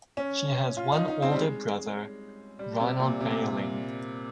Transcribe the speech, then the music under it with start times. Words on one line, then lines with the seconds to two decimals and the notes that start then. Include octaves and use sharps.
She has one older brother, Ronald Bahling.
0.17 C#4
0.77 F4
0.92 D#4
1.08 D#4
1.22 C4
1.32 G3
1.39 G#3
2.59 G3
2.80 C3
3.00 A#2
3.20 C3
3.30 A#2